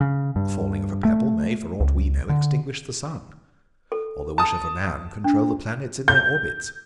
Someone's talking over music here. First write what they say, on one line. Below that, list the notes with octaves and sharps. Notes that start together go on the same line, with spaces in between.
The falling of a pebble may, for aught we know, extinguish the sun; or the wish of a man control the planets in their orbits.
C#3
G2
A3
C#2
D3
A4
A5 D#6
D4
G6